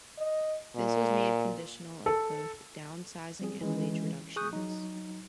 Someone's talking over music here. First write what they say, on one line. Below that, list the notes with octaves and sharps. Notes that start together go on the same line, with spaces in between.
This was made conditional of both downsizing and wage reductions.
D#5
A#2
A4
G3 C4 G#4
E3 G#3 C#4
G#4 C#6 D#6 F#6 G6
F#3 D#4